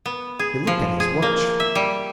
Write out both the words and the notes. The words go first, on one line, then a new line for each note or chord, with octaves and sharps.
He looked at his watch.
B3
G#4
F3
G#4
A#3
E5
G3